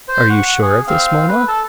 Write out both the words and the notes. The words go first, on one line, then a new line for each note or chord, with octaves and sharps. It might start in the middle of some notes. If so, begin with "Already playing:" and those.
"Are you sure of this, Mona?"
C5
F#5 C#6
G#4
C4 F5
B4
A4 A5